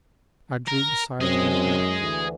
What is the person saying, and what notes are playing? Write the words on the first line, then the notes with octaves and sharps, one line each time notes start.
I drew beside Ventnor.
A#4
F#2 C4 G#4 D#5
D2 E3